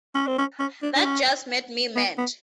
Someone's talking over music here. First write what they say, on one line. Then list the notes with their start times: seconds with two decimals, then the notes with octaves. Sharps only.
That just made me mad.
0.15 C#4
0.27 C4
0.38 C#4
0.60 C#4
0.82 D4
0.96 D4
1.05 C#4
1.96 B3
2.18 B3